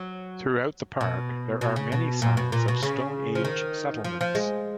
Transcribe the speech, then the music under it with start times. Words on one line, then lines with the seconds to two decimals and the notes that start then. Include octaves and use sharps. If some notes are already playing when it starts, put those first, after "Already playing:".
Throughout the park there are many signs of Stone Age settlements.
Already playing: F#3
1.01 B2
1.61 B2
1.76 C#3
1.92 B2
2.22 A#2
2.37 B2
2.52 A#2
2.68 B2
2.83 C#3
3.35 F3
3.45 D#3
4.04 F3
4.21 F3
4.35 G#3